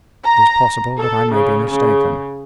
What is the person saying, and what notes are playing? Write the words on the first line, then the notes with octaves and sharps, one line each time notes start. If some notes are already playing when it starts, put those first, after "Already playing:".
It is possible that I may be mistaken.
A#5
A4
C#3
C#3